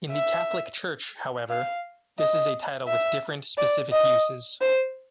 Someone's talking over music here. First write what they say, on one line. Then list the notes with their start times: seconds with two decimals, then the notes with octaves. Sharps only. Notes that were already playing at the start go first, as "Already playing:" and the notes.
In the Catholic Church, however, this is a title with different specific uses.
0.12 E5
1.50 F5
2.19 D#5
2.88 E5
3.57 D5
3.93 D#5
4.61 C5